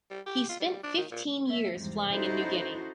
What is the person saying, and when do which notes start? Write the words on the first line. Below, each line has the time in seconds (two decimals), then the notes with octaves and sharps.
He spent fifteen years flying in New Guinea.
0.10 G3
0.26 G4
0.49 F4
0.60 G3
0.83 D4
0.97 D#3
1.11 A#2
1.46 A3 C#4 E5
1.76 E2 G#2 C3 F3 G3
2.11 C#4 D#4 E4 F#4 A4 C5